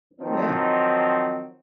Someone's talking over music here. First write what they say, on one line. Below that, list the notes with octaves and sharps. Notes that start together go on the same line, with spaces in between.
Oh, yeah.
D#3 F3 F#3 C4 D#4